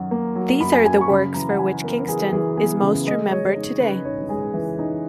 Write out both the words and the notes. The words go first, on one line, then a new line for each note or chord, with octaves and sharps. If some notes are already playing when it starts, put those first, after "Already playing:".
These are the works for which Kingston is most remembered today.
Already playing: F#2 D#3 F#3
A#3
F#3
F#2 B5
G#5
F#2 G#5
C#6
C#3 B5
E3 A#5
F#5
E3 G#5
B3 A#4
E3 G#4
E3 G#4
B3 G#4
C#3
G#3 D#5
G#3 C#5
D#4
C#3 B4
D#4 C#5
G#3 G#4
E3
D#4